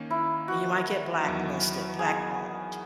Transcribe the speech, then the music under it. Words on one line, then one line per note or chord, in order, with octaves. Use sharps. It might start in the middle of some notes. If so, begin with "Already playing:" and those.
And you might get blacklisted, blackballed.
Already playing: D#3 A#3 C#4
E4
F#4
E2 D#3 F#3
G#4